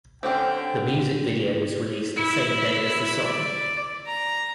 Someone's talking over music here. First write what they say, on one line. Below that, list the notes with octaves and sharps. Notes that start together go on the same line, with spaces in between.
The music video was released the same day as the song.
D3 C4 C#4 G4 G5
E4
D5
A#5